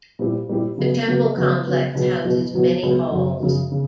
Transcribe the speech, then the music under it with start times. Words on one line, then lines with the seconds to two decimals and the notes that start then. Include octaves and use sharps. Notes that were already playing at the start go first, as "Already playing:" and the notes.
The temple complex houses many halls.
0.19 A#2 G3 C4 E4 G4
0.49 A#2 G3 C4 E4 G4
0.78 C#3 F#3 B3
1.07 C#3 F#3 B3
1.36 C#3 F#3 B3
1.65 C#3 F#3 B3
1.95 C#2 B2 F#3 B3
2.24 C#2 B2 F#3 B3
2.54 C#2 B2 F#3 B3
2.83 C#2 B2 F#3 B3
3.12 F#2 C#3 F#3
3.40 F#2 C#3 F#3
3.72 C#3